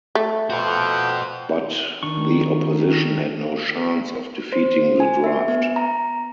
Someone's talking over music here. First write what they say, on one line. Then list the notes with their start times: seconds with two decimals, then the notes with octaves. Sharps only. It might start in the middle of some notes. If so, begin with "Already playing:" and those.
But the opposition had no chance of defeating the draft.
0.15 A3
0.50 F2 F#4 B4 C5 F#5 G5
2.03 D#3 D4 C#6
4.52 C5
5.00 G#5
5.24 E5
5.48 B3
5.76 A#5